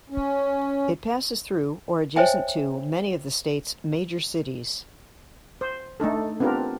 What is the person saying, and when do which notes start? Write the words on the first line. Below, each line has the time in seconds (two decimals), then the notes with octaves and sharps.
It passes through or adjacent to many of the state's major cities.
0.10 C#4
2.16 C5 C#5 D#5 E5 G5 G#5
5.61 C5
6.00 A3 D4 D#4 A4
6.40 B3 C4 D4 F4 G4 A#4